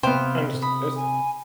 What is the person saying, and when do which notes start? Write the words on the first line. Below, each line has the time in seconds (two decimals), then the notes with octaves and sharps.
And it's
0.03 C3 B3 C5 F5 G5
0.62 B5 D#6
0.96 G#5